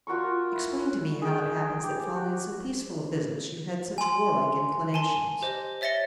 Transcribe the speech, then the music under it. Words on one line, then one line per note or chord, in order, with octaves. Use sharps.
"Explain to me how it happens that, following so peaceful a business, you had such warlike inclinations."
F4 F#4 A#4 C#6
E4
G#4 G5
G4
F#4
G#5 C6
G#5 A5 C6
G4 C5 D#5
C#5 E5 A6 A#6 C#7 G7